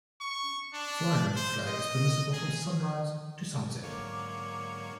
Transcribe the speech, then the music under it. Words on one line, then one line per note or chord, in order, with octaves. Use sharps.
Flying of the flag is permissible from sunrise to sunset.
C#6
D4
C5
D#5
G#4
G#2 D3 F#3 A#3 C#5 D6